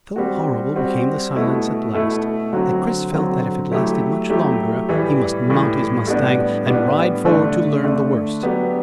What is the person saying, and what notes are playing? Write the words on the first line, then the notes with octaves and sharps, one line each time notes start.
So horrible became the silence at last that Chris felt that if it lasted much longer he must mount his mustang and ride forward to learn the worst.
G3 C4 F#4
G3 C4 F#4
B2 A3 E4
B2 A3 E4
D3 F#3 C4 F#4
D3 F#3 C4 F#4
F#3 A3 E4 G4
F#3 A3 E4 G4
A2 E3 G3
A2 E3 G3
A2 G3 B3 D4
A2 G3 B3 D4
D3 A3 D4
D3 A3 D4
F#3 B3 D4 G4